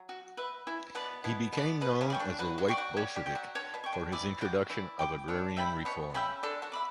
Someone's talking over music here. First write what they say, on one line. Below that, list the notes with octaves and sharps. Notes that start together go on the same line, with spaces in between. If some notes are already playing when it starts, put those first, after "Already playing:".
He became known as a "white Bolshevik" for his introduction of agrarian reform.
Already playing: F#3
F#4
B4 E5
E3 E4
B2 B3 B4 D5
B2 B3 E4
B2 B3 B4 D5
B2 B3 B4
C#3 C#4
D5 G5 C#6
D3 D4
F#3 F#4 B4
F#3 F#4
D5 G5 C#6
F#3 F#4
G3 G4 C#5
G3 G4
G5 C#6
F#3 F#4
D3 D4 C#5
B2 B3
G5 C#6
D3 D4
E3 E4 D5
F#3 F#4 G5 D6
E3 E4 D5
G5 D6
D3 D4 C#5
E5 G5 B5
B2 B3 C#5
C#3 C#4 E5 G5 B5
D3 D4 A4
F#3 F#4
E5 B5 D6